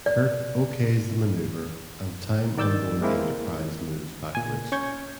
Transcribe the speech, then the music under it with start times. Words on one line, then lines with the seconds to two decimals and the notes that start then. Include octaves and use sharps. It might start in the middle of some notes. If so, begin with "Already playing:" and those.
Kirk okays the maneuver, and time on board the "Enterprise" moves backwards.
0.06 D5
2.58 D#3 D5 E6 G6 A6
3.01 G#3 A#3 C4 E4
4.35 A#2 G#5
4.72 C#4 C#6 G6 G#6